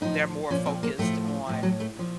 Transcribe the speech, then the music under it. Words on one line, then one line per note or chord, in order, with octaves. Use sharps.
they're more focused on,
A2 F3 D#4
A#2 F3 C#4
C4
A#3
A2 F3 A3
A2 F3
F#3
A3
A#2 F3